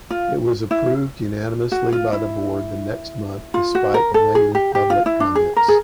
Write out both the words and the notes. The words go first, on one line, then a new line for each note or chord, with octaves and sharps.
It was approved unanimously by the board the next month despite negative public comments.
F4
E4
F#4
F4
E4
F4
F#4
A#4
A4
G#4
G4
G4
F4
E4
D4
G#4
A#4
G#4